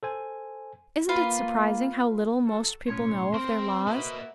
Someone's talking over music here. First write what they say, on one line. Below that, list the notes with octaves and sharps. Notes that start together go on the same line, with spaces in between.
Isn't it surprising how little most people know of their Laws?
A4 C5 G#5
A#3 F4 B4 F5
F#3 A4
B1 A2 C#4 C#5 C6
C4 A#4 C5
A#3 F#4 B4 D#5 E5